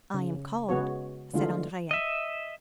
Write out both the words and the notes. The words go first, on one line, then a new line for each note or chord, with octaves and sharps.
"I am called," said Andrea.
C#3
C#3 G#3 B3 F#4 C#5
D3 E3 G#3 A3 F4
D#5 E5